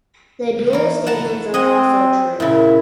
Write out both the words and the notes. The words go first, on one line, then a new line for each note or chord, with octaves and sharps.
The dual statements are also true.
E3 A#4
F#5 A5 A#5
C4 G#4 D#5 F#5
A#2 C#3 E4